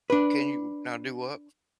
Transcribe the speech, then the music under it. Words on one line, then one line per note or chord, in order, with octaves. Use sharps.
can you now do what?
D4 B4